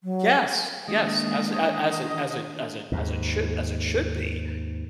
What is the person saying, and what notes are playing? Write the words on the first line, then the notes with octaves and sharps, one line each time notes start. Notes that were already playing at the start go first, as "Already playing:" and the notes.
Yes, yes, as it a as it as it as it as it should as it should be,
F#3
D#3 E3 G#3 A#3 D4 D#5
D#2 G#2